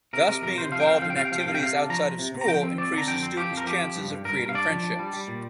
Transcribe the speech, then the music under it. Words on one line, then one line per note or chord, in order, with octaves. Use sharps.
Thus, being involved in activities outside of school increases student's chances of creating friendships.
C3 A#4
C3 A#4
F2 A#4
C3 C5
F3 F5
G5
C4 F5
G5
F3 F5
G5
C3 F5
G5
F3 F5
G5
C3 F5
G5
C3 F5
D4
F3 A#5
F3
C3
C3
A#5
F3 G5
C4
C4 D5
D3 A#5
F2 G5
C4
F3 G4
F2
A#4
F3 G4
F3
G2
G2
G2 A#4
G2
F5
D4 D5
F3
D4
G3
G3
A#2